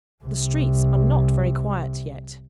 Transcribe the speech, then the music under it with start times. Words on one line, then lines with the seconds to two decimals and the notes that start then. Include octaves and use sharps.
The streets are not very quiet yet.'
0.24 C2 C3